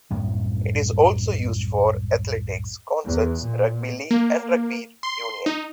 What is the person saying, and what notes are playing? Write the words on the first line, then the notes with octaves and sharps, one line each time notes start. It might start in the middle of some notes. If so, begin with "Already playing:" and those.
It is also used for athletics, concerts, rugby league and rugby union.
C2 F#2 A2 A#3
E2
A#2
A#3
C6
D#4